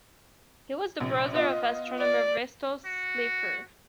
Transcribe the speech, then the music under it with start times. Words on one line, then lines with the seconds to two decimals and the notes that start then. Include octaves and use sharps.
He was the brother of astronomer Vesto Slipher.
1.00 A#1 C3
1.34 B3 F4 D#5
1.99 D5
2.86 F#4